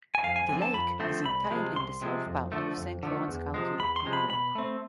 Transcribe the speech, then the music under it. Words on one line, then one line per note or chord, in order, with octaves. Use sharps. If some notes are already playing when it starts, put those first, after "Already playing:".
The lake is entirely in the south part of Saint Lawrence County, New York.
G#5
F2 F5
G#5
D3 F3 A3 C4 G#5
A5
F2 B5
D3 F3 A3 C4
C2 B5
C3 F3 G#3
C2 C6
C3 F3 G#3
F2
D3 F3 A3
F2
D3 F3 A3
E2
C3 F3 G#3
E2 B5
C6
C3 F3 G#3
B5
B2 B5
A3 C4